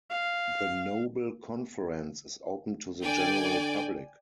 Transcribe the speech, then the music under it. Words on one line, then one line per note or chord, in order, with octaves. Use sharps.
The Noble conference is open to the general public.
F5
D3 D5 G5 G#5